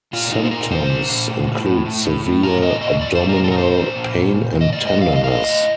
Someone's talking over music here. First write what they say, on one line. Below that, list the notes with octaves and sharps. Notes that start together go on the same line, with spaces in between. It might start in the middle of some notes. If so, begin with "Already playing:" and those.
Symptoms include severe abdominal pain and tenderness.
A#2 F4
A#2 D#4
C5
A#2 A#4
A#2 C5
A#2
A#2
A2
A2
A2
A2
A2
A2
A#2 A#4
A#2 D#5
A#2 D#5
A#2 D5
A#2 C5
A#4
A#2
A4
A#4
A#2 C5
A#2
A#2
A#2
A#2
A#2
D#5
A2 D5
D#5
A2
F5
A2 D#5
F5
A2 D#5
A2